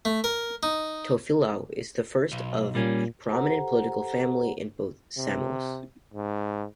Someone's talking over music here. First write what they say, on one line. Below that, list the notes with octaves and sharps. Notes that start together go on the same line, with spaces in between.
Tofilau is the first of a prominent political family in both Samoas.
A3
A#4
D#4
B1
A#2 G3 A#3 C#4
G4 A4 C5 F#5 A#5
C3
G#2